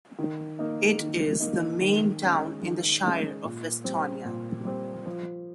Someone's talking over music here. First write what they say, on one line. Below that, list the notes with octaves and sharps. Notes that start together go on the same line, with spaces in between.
It is the main town in the Shire of Westonia.
D#3
A#3 D#4
D#3
A#3 D#4
D#3
G#3 C#4
D#3
G#3 C#4
A#2
G3 C4
A#2
G3 C4
F3